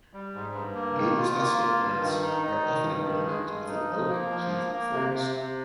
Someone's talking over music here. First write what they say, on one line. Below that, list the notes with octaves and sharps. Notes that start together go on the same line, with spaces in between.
"Gaylussacia" plants are often a component of an oak-heath forest.
G3
G#2
G2
A#3
D#3
F4
A#3
F4
G2
D#3
D#4
D#4
D#3
G2
D#3
G#3
G2
D#4
F3
A#3
F3
A#3
A#3
C3
C3
C3